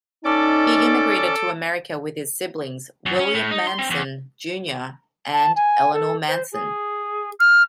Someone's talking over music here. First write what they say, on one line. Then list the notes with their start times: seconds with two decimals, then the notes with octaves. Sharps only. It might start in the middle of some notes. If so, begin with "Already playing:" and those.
He immigrated to America with his siblings, William Manson, Junior and Eleanor Manson.
0.25 C#4 D#4 A4 D5 D6
3.06 F#2
3.19 C#4
3.34 A2
3.51 D#4
3.67 C6
3.79 C4
3.90 E2
5.33 A5
5.55 G#5
5.92 A4
6.28 C5
6.52 G#4
7.39 F6